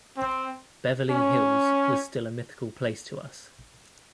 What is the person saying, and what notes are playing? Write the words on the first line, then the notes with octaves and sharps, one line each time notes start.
Beverly Hills was still a mythical place to us.
C4
C#4